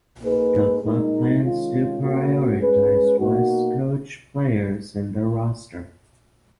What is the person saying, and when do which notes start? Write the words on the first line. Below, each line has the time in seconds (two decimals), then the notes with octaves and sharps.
The club plans to prioritize West coach players in their roster.
0.23 A#3 D#4 G#4 B4
0.82 A#2 G#3 D#4 A#4
1.42 D#3 G#3 C#4 F4
2.00 B2 A#3 C#4 F#4
2.60 G#3 C#4 G#4 B4
3.19 B2 A#3 D#4 F#4